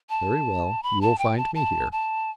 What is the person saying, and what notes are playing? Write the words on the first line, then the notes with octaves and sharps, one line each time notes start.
"Very well; you will find me here."
A5
B5
A5
G5
A5
A5
A5